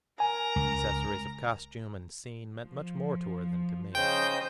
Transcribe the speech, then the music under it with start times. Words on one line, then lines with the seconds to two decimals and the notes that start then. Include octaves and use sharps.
Accessories of costume and scene meant much more to her than to me.
0.20 A#4 G#5 A#5
0.56 C#2
2.54 F3
3.95 C#3 C5 D#5 G5 G6